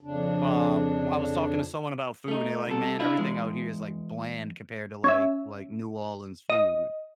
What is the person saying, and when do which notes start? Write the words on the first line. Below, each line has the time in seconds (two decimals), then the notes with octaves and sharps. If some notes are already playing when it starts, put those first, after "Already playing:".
uh, w I was talking to someone about food, they're like, "Man, everything out here is, like, bland compared to, like like, New Orleans food."
0.01 F2 C#3 D4
2.28 A3 D#4
2.67 C2 C3 A4
2.99 D4 E4 F4
3.18 E2 G#3
5.04 C#4 E5
6.50 D#5